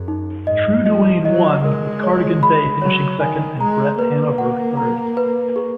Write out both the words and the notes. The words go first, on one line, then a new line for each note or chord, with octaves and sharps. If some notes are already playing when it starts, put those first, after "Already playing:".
True Duane won with Cardigan Bay finishing second and Bret Hanover third.
Already playing: F#2 G#4
D#4
G#2 D#5
F3 D#5
F#3 D#5
G#3 A#4
C#5
B5
F#3 C#5
D#3 G#5
G#3 A#5
A#3 B4
F#5
A#5
B4
G#4